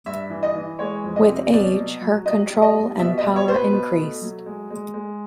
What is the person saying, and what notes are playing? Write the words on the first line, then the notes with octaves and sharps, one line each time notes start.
With age her control and power increased.
G2 E5
E3
D#5
E3
G#3 C#5
F2
D#5
C3
B2 D5
F#3
F#3
G3 D#5
G3
D#5
G3
B2 E5
D#5
B2
C#5
B2 C5
B4
B2
A3
F#3
G#3
G#3
G#3